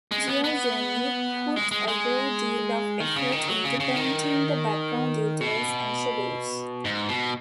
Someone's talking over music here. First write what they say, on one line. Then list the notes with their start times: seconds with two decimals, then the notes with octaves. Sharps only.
Giorgione put a great deal of effort into painting the background details and shadows.
0.11 G#3
0.27 B3
0.44 B3
1.56 G#3
1.71 G#3
1.88 G#3
3.00 D#3
3.16 C#3
3.32 D#3
3.48 F#3
3.65 C#3
3.80 C#3
3.96 D#3
5.41 B2
6.85 G#2
7.09 B2